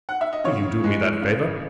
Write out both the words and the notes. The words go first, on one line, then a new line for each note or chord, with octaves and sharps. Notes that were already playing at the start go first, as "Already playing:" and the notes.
Will you do me that favour?'
F#5
E5
D#5
C#3 C#5
E3 G#3
C#3